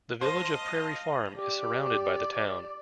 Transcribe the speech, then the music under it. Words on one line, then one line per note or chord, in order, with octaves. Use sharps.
The village of Prairie Farm is surrounded by the town.
C5 D#5 F5 A5
G4 D5